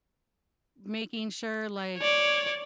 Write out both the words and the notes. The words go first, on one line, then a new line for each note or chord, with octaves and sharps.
making sure, like,
C#5 D5